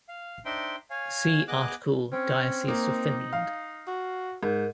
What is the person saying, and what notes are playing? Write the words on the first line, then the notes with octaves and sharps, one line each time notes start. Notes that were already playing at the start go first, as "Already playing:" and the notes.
See article Diocese of Finland.
F5
D4 D#4 C5 E5 G5 C6
C#5 F5 G#5
B3 G#4 D#5 D6 F#6
C4 C#4
A#3 D#4
F5
F#4
G#2 A#4